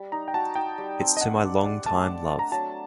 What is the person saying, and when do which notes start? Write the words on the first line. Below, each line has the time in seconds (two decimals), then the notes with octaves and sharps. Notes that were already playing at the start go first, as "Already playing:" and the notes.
It's to my long-time love.
Already playing: G3
0.12 D#4 A#5
0.28 G5
0.34 F#4 A5
0.55 D#4 G5
0.78 G3
1.00 C4
1.17 D#5
1.21 D4 F#5
1.44 D5
1.65 D5
1.86 A3 A5
2.08 D5
2.30 D4
2.39 A#5
2.51 F#3 A5